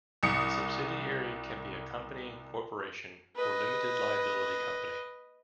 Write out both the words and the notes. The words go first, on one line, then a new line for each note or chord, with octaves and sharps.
The subsidiary can be a company, corporation, or limited liability company.
C2 D#6 C#7
B4 D#5